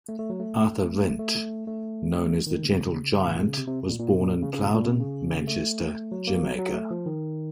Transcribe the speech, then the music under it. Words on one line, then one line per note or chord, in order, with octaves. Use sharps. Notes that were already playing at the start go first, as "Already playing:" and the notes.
Arthur Wint, known as the "Gentle Giant", was born in Plowden, Manchester, Jamaica.
A3
A3
F#3
A3
A3
A3
A3
D#3
C#3
A2
A#2
C#3
C3
C3
A#2
A#2
C3
A#2
C#3
C#3
A#2
A#2
C3
C#3
A3
F#3
A#3
F#3
F#3
A3
F3
D#3